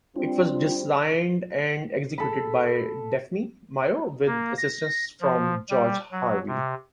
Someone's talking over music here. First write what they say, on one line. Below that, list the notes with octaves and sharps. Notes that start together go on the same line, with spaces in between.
It was designed and executed by Daphne Mayo with assistance from George Harvey.
G3 C4 D4 F4
A4 B5
A#3
A#6
F3
G3
F#3
C3